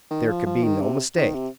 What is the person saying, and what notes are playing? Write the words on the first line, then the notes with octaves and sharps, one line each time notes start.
There could be no mistake.
D#3
F3
F3
D#3
C3
D#3
C3